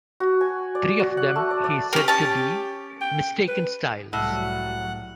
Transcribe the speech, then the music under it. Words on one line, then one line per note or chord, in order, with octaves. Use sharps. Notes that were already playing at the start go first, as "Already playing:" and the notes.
Three of them he said to be "mistaken styles".
F#4
G#5
D5
F#4
F#5
A3
D5
D5
A#3 C#4 G4
C#4 A5
G5
B4
C2 A2 F#3 G3 F#5